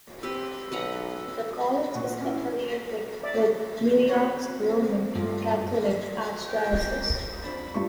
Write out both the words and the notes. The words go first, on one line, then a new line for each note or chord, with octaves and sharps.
The college is affiliated with New York's Roman Catholic archdiocese.
C4 G4 B4 E6
B1 B4 F#5 A#5
A#2 F#5 C#6
C#4 E4
D5 E5
C4 B4 C#5
G2 A3 F4
G5
F2 D4 B5
G2 G3 F4 C#6